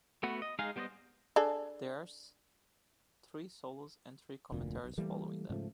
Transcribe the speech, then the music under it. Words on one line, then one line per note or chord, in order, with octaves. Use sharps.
There are three solos and three commentaries following them.
A3 B3 F#4 B4
D#5
G#3 D#4 G#4 F5
G3 B3 C5 D5 D#5
D4 G#4 A4
F1 D2 A#2
B1
E3 G3 A3 A#3
G#2 C#3 F3 A3